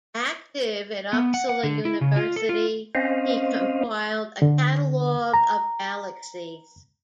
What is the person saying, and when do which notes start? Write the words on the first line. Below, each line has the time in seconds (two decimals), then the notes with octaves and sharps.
Active at Uppsala University, he compiled a catalogue of galaxies.
1.13 B3
1.34 F#5
1.49 F#5
1.63 D3
1.85 E4
2.01 C#3
2.16 F4
2.36 A4
2.49 F4
2.95 C4 C#4 C5 D#5 F5
4.42 D3
5.34 A#5